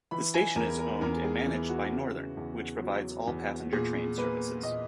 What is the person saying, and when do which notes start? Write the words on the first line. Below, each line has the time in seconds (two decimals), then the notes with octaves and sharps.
The station is owned and managed by Northern, which provides all passenger train services.
0.11 E3 B5
0.34 G#5
0.56 E2 A#4
0.79 A#4
1.01 E2 A#4
1.24 G#4
1.46 E3
1.69 F#4
1.92 C#3
2.37 E2
2.83 F#3
3.27 E2
3.73 A#2 G#4
4.18 A#3 B4
4.63 A#2 D#5